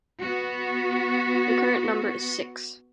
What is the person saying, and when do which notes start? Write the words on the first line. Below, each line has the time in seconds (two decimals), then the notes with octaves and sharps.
The current number is six.
0.20 B3 F#4